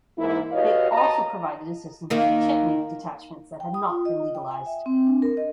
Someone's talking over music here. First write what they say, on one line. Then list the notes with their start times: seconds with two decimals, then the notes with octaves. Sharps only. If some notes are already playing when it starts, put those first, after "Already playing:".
They also provided assistance to Chetnik detachments that had not been legalised.
0.18 G#2 E3 A#3 E4
0.52 F#4 G4 B4 C#5 D#5 F5
0.91 D#5 A5 A#5
2.10 D#3 A#3 D#4
3.60 G5
3.74 D#6
3.90 F4
4.05 D#5
4.35 G5
4.51 G#5
4.66 E5
4.86 C4
5.07 D4
5.22 A#4
5.37 D#5